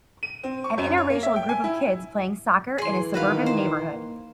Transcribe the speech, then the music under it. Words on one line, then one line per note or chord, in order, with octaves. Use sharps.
An inter racial group of kids playing soccer in a suburban neighborhood.
D#7
C4
C#6
F#2
C#5
A#3
E5
G5
G#5
E4
E3 G#4 C6
D#3 F#4 B4 F5
C5
A#3